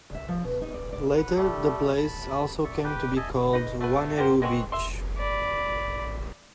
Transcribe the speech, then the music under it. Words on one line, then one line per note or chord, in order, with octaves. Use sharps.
Later, the place also came to be called "Wanneroo Beach".
E5
F3
B2
D#4
D5
D5
B4 F#5
G3 A3 G4 A4
A5 B5
D5 E5 C#6
G4 B4 G5 D6
D#5 E5 G#5 A5
D#4 B4 D#5
A3 B3 B4
F#4 G4 A#4 C5
G#3 B3 C4 F#4
E5 C6
D5 B5